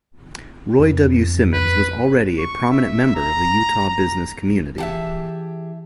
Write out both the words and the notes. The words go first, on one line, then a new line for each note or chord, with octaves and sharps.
Roy W. Simmons was already a prominent member of the Utah business community.
F2
B4
C#6
E5
A#5
A#5
E3 G4 G#4 E5 F#5 A5